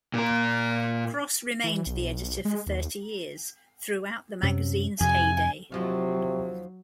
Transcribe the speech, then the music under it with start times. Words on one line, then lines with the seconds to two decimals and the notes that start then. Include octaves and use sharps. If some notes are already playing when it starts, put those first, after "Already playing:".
Cross remained the editor for thirty years, throughout the magazine's heyday.
0.14 A#2 A#4
1.64 E3
1.86 B1
2.21 B1
2.45 G#3
2.67 D#2
4.43 F#2 C3 F#3
5.00 F2 C3 G#5
5.72 D#2 C3 F3 F#3 F4